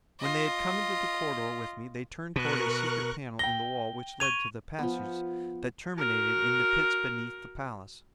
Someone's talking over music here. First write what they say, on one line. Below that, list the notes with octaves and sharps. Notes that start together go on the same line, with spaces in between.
When they had come into the corridor with me, they turned toward a secret panel in the wall which led to the passage that terminated in the pits beneath the palace.
F4 D#5
B2 A#4 C#6 F#6
G5 A#6 G7
C#6 G#6 D#7 F7
F3 B3
F#4 A#4